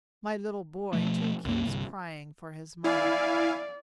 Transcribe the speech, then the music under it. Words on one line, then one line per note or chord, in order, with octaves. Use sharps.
My little boy too keeps crying for his mother.
B2 F3 A3
C2 F#2 A#3
G1 C2
E4 D5 F5 G#5